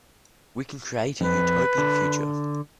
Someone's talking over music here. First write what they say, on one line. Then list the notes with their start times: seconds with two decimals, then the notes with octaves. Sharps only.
We can create a Utopian future.
1.21 F2 B4
1.78 D3